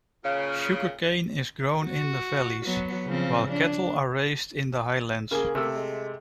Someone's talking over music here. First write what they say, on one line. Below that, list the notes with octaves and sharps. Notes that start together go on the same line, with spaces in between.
Sugar cane is grown in the valleys, while cattle are raised in the highlands.
A#2 C#3
F#4
F#3 B3
C#3 F3 C4
D4
C#3 A#3 G#4
C3 A3 A#3 E6
G#3